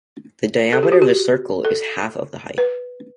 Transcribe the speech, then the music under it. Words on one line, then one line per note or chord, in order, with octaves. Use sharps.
The diameter of the circle is half of the height.
A4
G4
F#4
G4
A4
B4